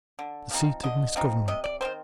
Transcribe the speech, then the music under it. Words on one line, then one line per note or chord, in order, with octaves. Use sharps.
The seat of misgovernment.
D3
F3 C4 D#4
D3 D#5
F3 C4 D#4
C3 D#5
D5
D#3 G3 C4 C5